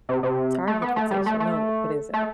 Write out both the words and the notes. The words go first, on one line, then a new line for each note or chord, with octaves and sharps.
Target fixation. No. What is that?
C3
C3
A3
B3
A3
G3
A3
A3
A3